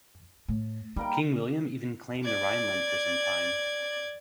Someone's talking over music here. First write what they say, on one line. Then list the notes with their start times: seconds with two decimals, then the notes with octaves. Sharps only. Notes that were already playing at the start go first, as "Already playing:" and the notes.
King William even claimed the Rhineland for some time.
0.48 A2
0.96 G3 A#3 D#4 G5
2.24 D5 G#6